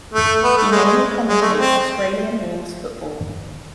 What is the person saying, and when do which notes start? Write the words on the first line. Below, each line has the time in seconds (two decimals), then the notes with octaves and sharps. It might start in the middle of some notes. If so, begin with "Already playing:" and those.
He mainly commentates Australian rules football.
0.14 A3
0.43 B3
0.57 A3
0.71 G#3
0.85 G#3
1.28 G#3
1.42 A3
1.57 C4